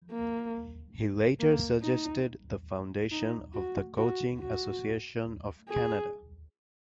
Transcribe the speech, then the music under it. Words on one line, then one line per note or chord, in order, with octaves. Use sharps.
He later suggested the foundation of the Coaching Association of Canada.
A#3
A#3
D#4
D#4
F#4
F#4
F#4
G#4